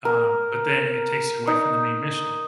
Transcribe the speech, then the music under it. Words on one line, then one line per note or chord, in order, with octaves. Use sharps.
Um, but then it takes you away from the main mission.
A#4
D#4